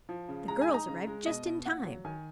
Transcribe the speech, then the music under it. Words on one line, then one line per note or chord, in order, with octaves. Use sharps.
The girls arrived just in time.
F3
C#3
G#3 A#5
G#5
D#4
A#5
C#3
G#3
B2 D#5
B2
A#2 F#5
F#3
D#3 G#5